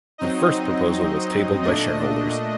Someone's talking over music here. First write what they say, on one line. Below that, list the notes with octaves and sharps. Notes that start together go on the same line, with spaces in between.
The first proposal was tabled by shareholders.
F#3 C4 D#4 D#5
A#2 A3 D4 D#5